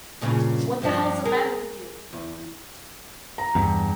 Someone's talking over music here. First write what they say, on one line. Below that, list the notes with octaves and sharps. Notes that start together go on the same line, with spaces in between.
What the hell's the matter with you?
G2 A#2 C#3
G2 F3 D4
G#4 A#4
E2
A#5
E2 G2